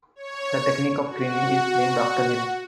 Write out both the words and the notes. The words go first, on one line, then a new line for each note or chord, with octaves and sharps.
The technique of kriging is named after him.
C#5
F#4